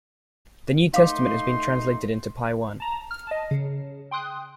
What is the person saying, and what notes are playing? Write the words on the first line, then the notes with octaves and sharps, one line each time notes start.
The New Testament has been translated into Paiwan.
A3 D#4 F5 C6 D6
A5 A#5
F6
D#5 A5
C#3
G5 C6 D#6 F#6